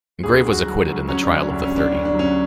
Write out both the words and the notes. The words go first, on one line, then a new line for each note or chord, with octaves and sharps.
Grave was acquitted in the "Trial of the thirty".
D2 G#4
D2
F#4
F#3
D2
F#3 C#4
D4
D2
C#4
D2 D4
C#4
D2
D4
D2 C#4
D4
F#3
C#4